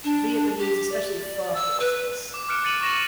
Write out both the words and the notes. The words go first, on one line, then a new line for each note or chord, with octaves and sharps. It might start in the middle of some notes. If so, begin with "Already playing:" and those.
Vietnamese, especially pho places.
D4
G4
D5
E6
B4
D6
D6 F6 F#6 C#7 D7 E7
A6 C#7 D#7 F#7
C#6 D6 A#6 D7 E7